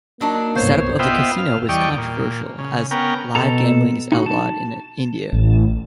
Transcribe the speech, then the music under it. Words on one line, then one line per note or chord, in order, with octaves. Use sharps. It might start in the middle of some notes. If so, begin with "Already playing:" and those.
The setup of the casino was controversial as live gambling is outlawed in India.
F#3 A#3 D4 D#4
C2 G2 B3 C5 C#5 F5
B3 F4 C5 D#5 E5 G5
F5
E2 G3 D5 D#5 G5 C#6
A#2
C#3
B3 C#4 A#4 G5
B2 A4 A#5
D#4 F#4
A5
A1